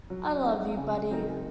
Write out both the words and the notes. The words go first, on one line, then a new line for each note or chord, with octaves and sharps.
I love you, buddy.
F#3
C4 D#4 G#4
C#3
F#3 C4 D#4 A#4